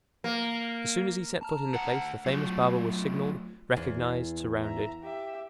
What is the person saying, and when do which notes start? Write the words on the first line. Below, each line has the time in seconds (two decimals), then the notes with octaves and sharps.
As soon as he set foot in the place the famous barber was signaled, recognized, surrounded.
0.24 A#3
1.41 A5 A#5 F6
1.74 D2 F#5
2.26 A2 F#3 F4
3.77 E2
4.61 E5 A#5
5.02 G4 E5